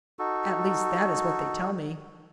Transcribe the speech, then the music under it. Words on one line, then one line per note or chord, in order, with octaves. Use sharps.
At least that is what they tell me.
D#4 F#4 A4